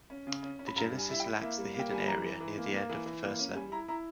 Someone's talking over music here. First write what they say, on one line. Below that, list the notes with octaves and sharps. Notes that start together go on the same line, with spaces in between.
The Genesis lacks the hidden area near the end of the first level.
C#4
C#3
C#4
C#4
B5
G2 A#5
G3
G#5
E4 E5
G5
E4
A#3 E5
G3
A#3 G5
G3 G#5
E3 A#5
E3
E3
A#3
A#3
E3
E3
A#3
C#4
G3 G#5
E4 A#5
E4 A#5